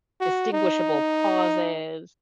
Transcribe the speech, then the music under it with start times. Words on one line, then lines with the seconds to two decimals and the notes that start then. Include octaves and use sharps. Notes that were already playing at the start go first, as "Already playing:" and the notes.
distinguishable pauses,
0.21 F#4
0.53 D#4